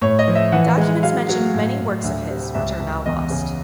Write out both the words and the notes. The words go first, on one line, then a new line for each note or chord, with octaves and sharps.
Documents mention many works of his which are now lost.
A2 C#5
D#5
F3
E5
E3 F#5
G#3
F#3 F5
F#3
A2
A2
D2
C3
C#2 E5
C#2
E2 D#5
C#3